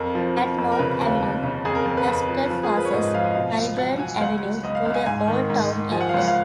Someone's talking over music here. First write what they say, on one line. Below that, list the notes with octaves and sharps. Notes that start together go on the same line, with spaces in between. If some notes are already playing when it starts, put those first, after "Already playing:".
At North Avenue, Halsted passes Clybourn Avenue, through the Old Town area.
Already playing: F2 A#4
F3
F3
F2
A#4
C#3 B4
D#2
D#2
C#3
F2 G#4
A#4
F2 A#4
B4
F2
F3
F3
G#4
F3 A#4
B4
C#5
G#2 D#5
F3 F5
D#5
B2 F5
C#2
F#3 F#5
F#3 G#5
F5
C#2 F#5
F#3
C#2 D#5
F5
C#2 F5
G#5
G#2 G#5
D#3
G#2
D#3
F3 G#5
F#5
F5
C#2 F#5
F5